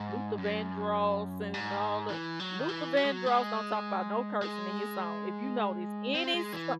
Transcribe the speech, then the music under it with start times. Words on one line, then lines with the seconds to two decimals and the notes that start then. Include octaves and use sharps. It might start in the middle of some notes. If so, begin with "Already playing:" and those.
Luther Vandross and all the Luther Vandross don't talk 'bout no cursing in his song, if you notice any so
Already playing: G#2
0.38 F#2
1.54 G#2
2.10 E3
2.40 F#3
2.59 D#3
2.69 E3
2.97 F#3
3.05 G#3
3.12 F#3
3.26 G#3
4.42 G#3
6.15 C4
6.34 G#3
6.53 E3